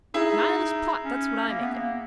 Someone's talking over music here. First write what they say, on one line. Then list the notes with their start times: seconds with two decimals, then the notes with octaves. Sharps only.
A Nihilist plot--that's what I make it.
0.14 D#4 E4 G#4
1.04 C#4
1.48 A#3
1.61 B3
1.74 A#3